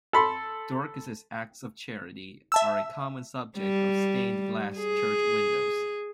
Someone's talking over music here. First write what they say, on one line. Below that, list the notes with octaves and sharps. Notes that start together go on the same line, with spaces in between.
Dorcas' acts of charity are a common subject of stained glass church windows.
A4 B5 C6
E5 A5 E6
G3
G#4